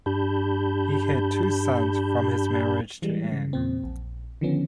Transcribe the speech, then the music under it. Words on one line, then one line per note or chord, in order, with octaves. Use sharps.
He had two sons from his marriage to Anne.
G2 D4 G4 A5 B5 G6
E3 G3 G#3
C#3
E2 A#2 C4
A#1
D3 D#3 F3 B3 C#4